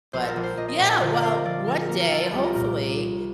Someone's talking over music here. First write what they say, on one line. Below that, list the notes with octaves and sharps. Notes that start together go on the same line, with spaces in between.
but Yeah, well, one day, hopefully,
A#1 C5
A4 A#4
A#1
C5
A#1 D#5
D#5
A#2 C5
A#4
D3 C5
D5 D#5
C4 F5
D#5
F3 D5
F3 A#4
A#3 A#4
A#4
A#3 A4
F4
C2 G4
A#4
A#2 A#4